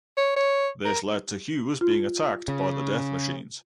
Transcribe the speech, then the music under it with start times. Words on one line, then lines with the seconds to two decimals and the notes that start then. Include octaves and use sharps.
This led to Hughes being attacked by the Death Machines.
0.17 C#5
0.36 C#5
0.85 A#4
1.81 F4
2.48 C#3